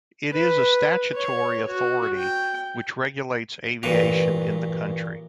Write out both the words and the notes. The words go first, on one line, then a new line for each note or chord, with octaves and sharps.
It is a statutory authority which regulates aviation in the country.
B4
C#5
F#4
G5
A1 G2 A#2 B4 A#5